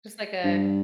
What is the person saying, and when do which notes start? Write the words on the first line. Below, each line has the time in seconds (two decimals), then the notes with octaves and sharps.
Just like a
0.44 G2